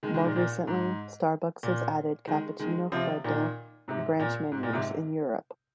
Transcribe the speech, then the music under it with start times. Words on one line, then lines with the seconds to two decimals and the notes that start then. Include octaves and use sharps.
More recently, Starbucks has added Cappuccino Freddo to branch menus in Europe.
0.03 D#3 G#3
0.14 D#3 G#3
0.24 A#2 D#3
0.36 A#2
0.67 G#2
1.63 A#2
2.27 D#3 G#3
2.59 D#3 G#3
2.92 C3 F3
3.24 A#2 D#3
3.88 G#2 C3
4.20 A#2
4.52 G#2
4.63 A#2
4.73 G#2 C3